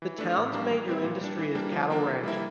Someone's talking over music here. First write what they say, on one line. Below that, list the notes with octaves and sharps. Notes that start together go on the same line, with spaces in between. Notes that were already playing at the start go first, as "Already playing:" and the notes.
The town's major industry is cattle ranching.
E3
A3 D4
A2
G3 A#3 D4
E3
G3 C4 E4
A#2
G3 D4
E3
G3 A#3 D4
F3
A#3 D4
E3
G3 A#3 E4